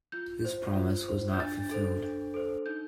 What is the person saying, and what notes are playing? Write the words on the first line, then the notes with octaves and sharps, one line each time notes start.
This promise was not fulfilled.
F4 G6
C5
F4
C5
G6
D4 A6
A4 C5
D4
A4 C5
D#4 G6